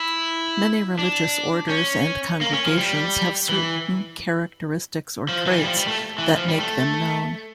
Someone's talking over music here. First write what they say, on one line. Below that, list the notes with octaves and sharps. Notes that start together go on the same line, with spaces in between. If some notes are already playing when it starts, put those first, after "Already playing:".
Many religious orders and congregations have certain characteristics or traits that make them known.
Already playing: E4
D4
C#4
A#3
C#4
F3
G3
E3
F3
E3
G3
F3
G3
A3
E3
F3
G3
A3